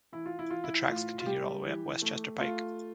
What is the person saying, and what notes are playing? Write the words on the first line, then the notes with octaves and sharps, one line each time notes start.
The tracks continued all the way up West Chester Pike.
E3 E4
F4
E4
E3 F4
E4
A2 F4
F4
G3 G4
E3
A3
A3 F4